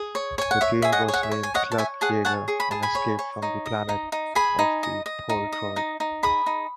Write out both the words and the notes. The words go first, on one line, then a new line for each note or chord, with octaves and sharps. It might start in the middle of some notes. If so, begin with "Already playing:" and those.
The game was named "Cluck Yegger in Escape From The Planet of The Poultroid".
Already playing: G#4
C#5
C#5 G#5
F#5
C#5 E5
G#4 E5
D#5 F#5
C#5
F#5
E5
C#5
G#5
C#5 D#5 F#5
A5
C#5 E5 G#5
G#4 F#5 A5
C#5 F#5 A5
G#4 C#6
B5
G#4 A5
G#5 B5
C#5
C#5
D#4
D#5
D#4
D#4
G#4 G#5 B5
D#4
D#5
D#5
D#4
D#5
D#4
D#4
G#4 B5 D#6
D#4